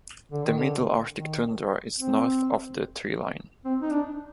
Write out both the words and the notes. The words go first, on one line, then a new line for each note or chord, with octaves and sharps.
The middle arctic tundra is north of the treeline.
D3
D#3
D3
D#3
C4
C4
D#4
D4